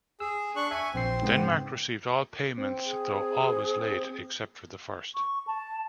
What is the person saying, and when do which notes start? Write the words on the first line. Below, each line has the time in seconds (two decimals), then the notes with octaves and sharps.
Denmark received all payments, though always late except for the first.
0.20 G#4 E6
0.56 D4 C#6 F#6
0.71 E5 G#5 C#6
0.94 A#1 C4 C7
1.22 G#2 C#3 B3
2.57 C4
2.85 G#4
5.15 C#6
5.47 A5